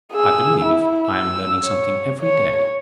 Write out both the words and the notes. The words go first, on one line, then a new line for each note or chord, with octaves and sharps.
"I believe I am learning something every day."
G#4 E6
E4
E6
C#5
C#5